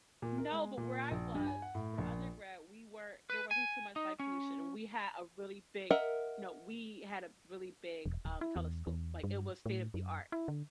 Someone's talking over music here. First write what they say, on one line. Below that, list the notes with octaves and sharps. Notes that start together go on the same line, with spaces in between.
no, but where I was, for undergrad, we were there wasn't too much light pollution and we had a really big no, we had a really big, um, telescope. Like it was state-of-the-art.
A#2
A#4
G#3
A#2
A#1
G2
G#5
F#5
A2
A#1
B4
G#5
D#4
C#4
A#4 D#5 E5 F#5
E1
D1
E4
E2
E2
G2
A2
F#2
E4
D3